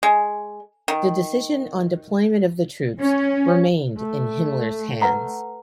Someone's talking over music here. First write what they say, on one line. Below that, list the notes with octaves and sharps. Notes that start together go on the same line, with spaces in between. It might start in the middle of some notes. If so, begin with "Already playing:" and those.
The decision on deployment of the troops remained in Himmler's hands.
G#3
D#3
C#4
A3
B4 F#5 A#5